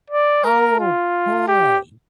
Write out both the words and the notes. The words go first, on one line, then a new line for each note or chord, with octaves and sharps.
Oh, boy.
D5
A#4
F4
G4